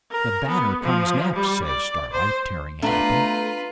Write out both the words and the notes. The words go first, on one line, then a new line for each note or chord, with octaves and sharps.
'The "Banner" comes next,' says Starlight, tearing it open.
A#4
B3
F3
G3
D5
C5
A3 B3 D4 F4 B4 A#5